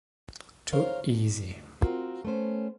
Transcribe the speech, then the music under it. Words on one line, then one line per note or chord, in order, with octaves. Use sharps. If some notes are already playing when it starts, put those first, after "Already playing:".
Too easy.
A#4 C5 C#5 F5
D2
C4 F4 F#4 A#4
A3 B3 C#4 C5